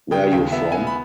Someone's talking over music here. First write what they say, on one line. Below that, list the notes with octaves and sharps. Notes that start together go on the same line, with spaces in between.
Where you from?
C#3 G5
D#2 G5
B3 E5
B3 G#5
B5